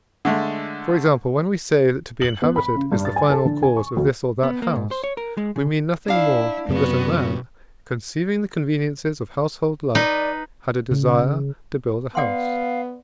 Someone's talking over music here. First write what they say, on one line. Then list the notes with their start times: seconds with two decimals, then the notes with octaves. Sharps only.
For example, when we say that to be inhabited is the final cause of this or that house, we mean nothing more than that a man, conceiving the conveniences of household life, had a desire to build a house.
0.25 D3 G#3 A3
2.22 F#7
2.42 B3
2.56 B5
2.76 C#3
2.92 G2
3.05 A6
3.16 G#5
3.30 A4
3.45 D3
3.63 G#5
3.77 C#6
3.97 D2
4.43 B3
4.62 A#3
4.75 G#2
4.91 C5
5.04 C#5
5.17 A#4
5.37 G#3
5.56 C#3
6.08 D4 E4 F5
6.69 F#2 C3 B3 F#4
9.95 D#4 B4 D5
10.91 C#3
12.15 B3 D5 F5 F#5 C6